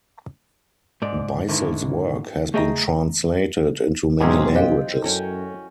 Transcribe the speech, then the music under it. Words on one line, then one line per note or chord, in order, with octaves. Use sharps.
Beissel's work has been translated into many languages.
G#2 D5
G#2 D3 D#3 E4
A3 G#4 D#5 G5 G#5 A#5
B1 G#2 C3 G#3 C4 C#4 G#4
G4 C5 D#5 F5 G5
F#2 C#4 E4 F#4 A4 G5